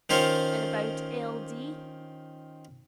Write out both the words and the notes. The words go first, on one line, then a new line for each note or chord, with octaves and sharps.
"And about L. D.?"
D#3 C#4 F4 C5 C#5